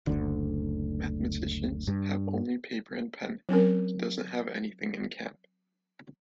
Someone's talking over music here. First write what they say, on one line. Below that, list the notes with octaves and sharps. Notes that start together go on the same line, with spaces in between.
Mathematicians have only paper and pen, he doesn't have anything in camp.
F#1 D2 D3
G2
F#3 C4 C#4 A#4